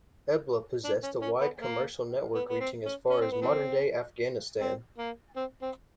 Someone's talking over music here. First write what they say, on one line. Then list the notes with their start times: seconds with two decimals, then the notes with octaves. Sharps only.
Ebla possessed a wide commercial network reaching as far as modern-day Afghanistan.
0.85 D4
1.03 C#4
1.22 C#4
1.41 B3
1.60 A#3
2.35 B3
2.49 B3
2.60 C4
2.86 C#4
3.10 C#4
3.21 C4
3.31 B3
3.42 E3 C4
4.61 C4
4.98 A#3
5.36 C4
5.62 C4